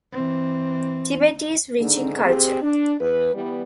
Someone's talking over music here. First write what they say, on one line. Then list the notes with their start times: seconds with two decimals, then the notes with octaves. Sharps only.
Tibet is rich in culture.
0.12 E3 C4
1.80 G#2 D3 D#3 D4 D#4 G#4
2.25 C4 G4 G#4
2.62 D4
2.99 E2 B4
3.34 E3 G3 B3